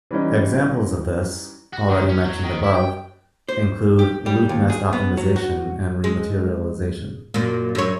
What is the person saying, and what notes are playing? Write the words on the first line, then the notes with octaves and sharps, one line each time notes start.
Examples of this, already mentioned above, include loop nest optimization and rematerialization.
E3 G3 C#4 D#4
F#4
D#3
C#4
F#3
D#3
E4
G5
C5
G4
G3
D#2
G#4
B3
F#3
F#4
G#3
F#2 A#2
F#2 C#5